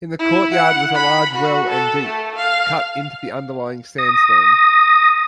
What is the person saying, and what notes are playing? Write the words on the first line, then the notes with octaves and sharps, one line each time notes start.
In the courtyard was a large well and deep, cut into the underlying sandstone.
E4
F#5
B5
F#4
A4
A3
F5
D#6 A#6